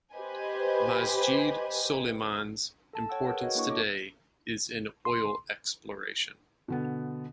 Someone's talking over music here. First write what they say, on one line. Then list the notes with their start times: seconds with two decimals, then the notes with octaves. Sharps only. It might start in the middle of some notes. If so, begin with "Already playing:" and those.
Masjed Soleyman's importance today is in oil exploration.
0.13 G4 B4 C5 D#5 G#5
2.93 A4 A5
3.09 C#5 F#5 G5 E6
3.26 G#4 A#4 B4 F#5 G5
3.41 F#4 C#5 D#5
3.55 A#3 D4 E4 C#6
3.68 A4 C#5 C#6 D6
5.05 C6
6.68 B2 D3 B3